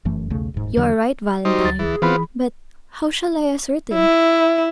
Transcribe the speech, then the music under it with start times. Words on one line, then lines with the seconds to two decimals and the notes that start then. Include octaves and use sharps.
"You are right, Valentine; but how shall I ascertain?"
0.05 F1 F#2 E3 A3
0.30 B1 E2 C#3 A3
0.54 D#1 G#2
0.77 E2 D3 F#3
1.45 G3 D#4 F#4 C5
1.64 D2 A6
1.79 E3 G#4
2.02 E3 B3 C4 F4 B5
3.94 E4